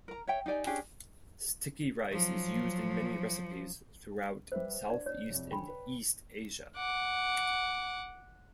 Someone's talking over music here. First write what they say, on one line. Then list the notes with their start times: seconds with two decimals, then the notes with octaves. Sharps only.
Sticky rice is used in many recipes throughout Southeast and East Asia.
0.08 A#4 A#5
0.27 C#5 E5 G5
0.46 D#4 G4 D5 G#5
0.67 C#4 D4 G4 G#4
2.11 F3 F#3
4.52 G3 B4 C5 E5
4.90 D4 D5
5.06 C#5
5.30 C2 F2
5.51 D3 G5 G#5 B5
5.68 B4
6.76 F#5 D6